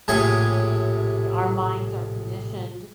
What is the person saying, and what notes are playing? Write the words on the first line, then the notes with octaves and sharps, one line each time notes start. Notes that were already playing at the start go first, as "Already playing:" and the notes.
Our minds are conditioned
A#1 A2 C3 G#4 C#5 G#5